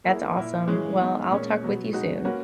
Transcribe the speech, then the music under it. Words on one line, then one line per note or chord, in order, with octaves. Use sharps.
That's awesome. Well, I'll talk with you soon.
A#3 E4 G#4
A#2 A#3 E4
E3 G#3 C#4 G#4
G#3 B3 D#4
A#2 G#3 C#4
B2 F#3 B3
G#3 D#4 F#4 B4
A#3 C#4 F#4 B4